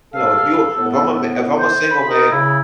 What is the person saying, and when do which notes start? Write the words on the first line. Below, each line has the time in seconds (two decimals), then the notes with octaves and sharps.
You know, if you if I'm a m if I'm a single man,
0.14 G2 A4 F5
0.78 A2 B3
1.59 C5
1.91 B5
2.09 D#4 A#4
2.31 C#3 E4